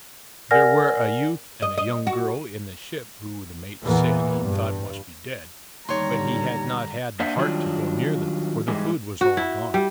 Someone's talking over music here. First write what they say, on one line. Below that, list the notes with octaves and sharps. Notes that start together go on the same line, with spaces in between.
There were a youth and a young girl in the ship who the mate said he thought must be dead, but he had not had the heart to go near them, for the food was all gone.
A#4 D5 F#5 G#5 F6 A#6
D#5
D#5
F#4
E2 A#2 E3 A#3 B3
G2
D#2 D3 G3 C#5 A#5 C6
A#3 D4 C5 E5 F#5
D#3 F#3 G3 A3 D4 F4
G#2 E3 G3 G#3 D#4
F#4
E4
G3